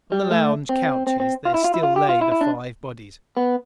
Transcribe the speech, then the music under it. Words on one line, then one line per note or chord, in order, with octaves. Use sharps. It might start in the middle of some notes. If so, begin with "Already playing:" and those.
On the lounge couches there still lay the five bodies.
G3
A3
C4
C4
C4
F4
E4
F4
E4
F4
G4
F4
E4
E4
D4
B3